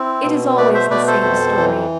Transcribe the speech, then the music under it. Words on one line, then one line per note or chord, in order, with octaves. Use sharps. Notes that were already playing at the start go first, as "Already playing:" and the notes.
It is always the same story.
Already playing: C4 E4
B2
A3 B4 D5
C5 E5
B2 B4 D5
A4 C5
F2
E3